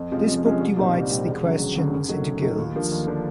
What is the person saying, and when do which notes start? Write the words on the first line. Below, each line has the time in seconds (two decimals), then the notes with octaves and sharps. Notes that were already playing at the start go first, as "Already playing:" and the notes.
This book divides the questions into guilds.
Already playing: F2
0.11 C3 F3 G#3 C#4
0.28 F2
0.43 C3 F3 G#3 C#4
0.60 C2
0.77 A#2 G3 C4 D#4
0.93 C2
1.10 A#2 G3 C4 D#4
1.27 E1
1.42 D2 C#3 F#3
1.59 E1
1.76 D2 C#3 F#3
1.92 F#2
2.08 D#3 F#3 A3
2.25 F#2
2.41 D#3 F#3 A3
2.58 D#2
2.75 D3 F3 A#3 D4
2.91 D#2
3.07 D3 F3 A#3 D4